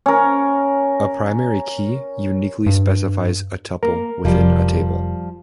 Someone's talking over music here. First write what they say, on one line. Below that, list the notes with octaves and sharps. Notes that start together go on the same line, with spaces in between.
A primary key uniquely specifies a tuple within a table.
C#4 A#4
G2
A#3 A#4
F1 F3 G3 D5